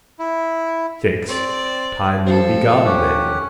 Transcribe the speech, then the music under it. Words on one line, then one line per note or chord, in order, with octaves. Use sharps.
Six. Time will be gone then.
E4
C4 D5
F3 C4 A4
C#4 G4 F#5